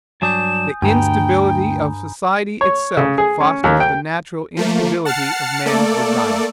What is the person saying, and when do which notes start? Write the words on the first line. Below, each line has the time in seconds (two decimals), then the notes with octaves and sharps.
The instability of society itself fosters the natural instability of man's desires.
0.22 G2 F#3 D4 G#5 D#6 G6 E7
0.82 D2 G2 G5 G#5 A#5 B5
2.61 C#5
2.97 C#3
3.18 G#4
3.40 C#4
3.64 D#2
3.80 G5
4.57 F3 A3 A#3
5.05 F#5 A5 F6 A6 C7 C#7
5.66 A3 A#3 A4 D5